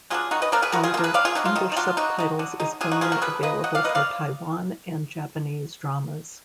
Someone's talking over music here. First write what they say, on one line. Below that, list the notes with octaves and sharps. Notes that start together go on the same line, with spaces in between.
However, English subtitles is only available for Taiwan and Japanese dramas.
F#3 B3 D4 F4 G#4
D#3 D#4 F#4
B4 D#5
A#3 D4 A#4 D5
G#4 B4
D#3 F#4 A#4
F4 G#4
A#3 D4 F4
G#4 B4
D#3 D5 F5
F4 G#4
F#3 D4 D#4 F#4
F4
D#3 D#4
D#4
F#3 D4 F4
D3 D#4 F#4
G#3 D#4
D3
G#3 D#4
D3 F4 G#4
D#4 F#4
F3 A#3 F4 G#4
F#4 A#4
D3 G#4 B4
F3 A#3 B4 D#5
F#3 D#5 F#5
D5 F5
A#3 D#4 B4 D#5
D5 F5